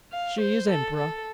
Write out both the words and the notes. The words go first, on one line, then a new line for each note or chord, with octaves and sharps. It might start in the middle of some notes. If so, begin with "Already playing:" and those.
"She is emperor."
F5
C5
A4
A4